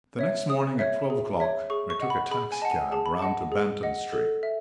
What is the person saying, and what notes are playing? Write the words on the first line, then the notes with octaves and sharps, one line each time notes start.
The next morning at twelve o'clock I took a taxi-cab round to Banton Street.
C#5 E5
G#4 D#6
C#5 E5
G#4
C#5 E5
G#4 C#6
C#6
D#5 F#5
B5
G#4 B5
G#5
D#5 F#5 A5
G#5
G#4 A5
B5
D#5 F#5 A5
G#4
D#5 F#5
A4
E5